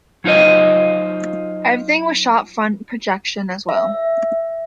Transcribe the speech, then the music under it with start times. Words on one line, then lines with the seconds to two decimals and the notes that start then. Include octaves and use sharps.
Everything was shot front projection as well.
0.24 F#3 D#4 F4 C5 D#5
3.69 E5